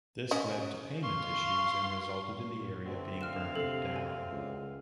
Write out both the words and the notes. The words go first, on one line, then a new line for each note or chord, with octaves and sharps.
This led to payment issues and resulted in the area being burned down.
C#4 D#5
F5 C6 C#6
D2 D3 C4
F5 F6 F#6 E7
C3 A4 C7
G#5
C#2